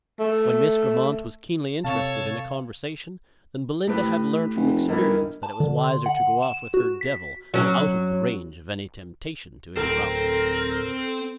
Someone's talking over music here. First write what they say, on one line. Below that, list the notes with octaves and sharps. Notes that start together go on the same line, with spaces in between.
When Miss Grammont was keenly interested in a conversation, then Belinda had learnt from experience that it was wiser to go off with her devil out of the range of any temptation to interrupt.
A3
C3 A4 C#5 F5 A5
A2 A3 G4 B4
F1
G1 G2 D#4 E4 A#4
A5
D3
C6
F#5
E7
E7
F#4
B6
F#3 C#4
D1 C4 A4 A#4